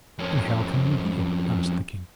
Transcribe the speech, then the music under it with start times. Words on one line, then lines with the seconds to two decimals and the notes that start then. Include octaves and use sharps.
"And how come you here?" asked the king.
0.19 F2 C#4